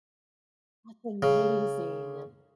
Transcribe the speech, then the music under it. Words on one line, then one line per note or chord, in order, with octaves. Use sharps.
That's amazing.
C#3